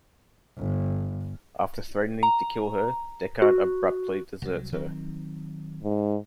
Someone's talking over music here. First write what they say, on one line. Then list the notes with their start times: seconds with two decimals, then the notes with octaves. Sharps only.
After threatening to kill her, Deckard abruptly deserts her.
0.58 G1
2.23 A#5
3.42 F#4
4.42 C2 F#3
4.72 D#3 F#3 C4
5.83 G#2